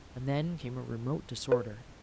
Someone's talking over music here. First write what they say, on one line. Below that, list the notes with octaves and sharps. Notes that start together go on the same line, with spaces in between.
And then came a remote disorder.
B4